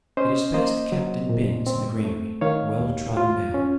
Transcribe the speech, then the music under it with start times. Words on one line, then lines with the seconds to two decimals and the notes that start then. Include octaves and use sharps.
It is best kept in bins in a granary, well trodden down.
0.17 C#4 C5 D#5
0.54 A#3 C5 D#5
0.92 F#3
1.29 A#2
1.67 C4
2.05 A3
2.41 D#3 C#5 F5
2.79 D#2
3.17 F4
3.54 C#4